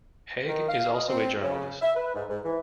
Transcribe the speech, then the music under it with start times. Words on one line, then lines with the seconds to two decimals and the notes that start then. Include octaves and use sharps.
Hague is also a journalist.
0.47 D#3
0.69 F5
0.93 D#5
1.08 C4
1.42 C#3
1.81 E5
1.95 B4
2.15 G#2
2.29 G#2
2.45 E3